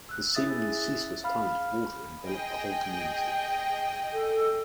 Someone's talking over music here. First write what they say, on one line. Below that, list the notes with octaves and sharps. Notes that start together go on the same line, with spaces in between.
The seemingly ceaseless tide of water enveloped the whole community.
E6 F#6
C#4 E4 G#4 E5 D#6 A6
F5 B5 F6
G#4 D#5 G5
A4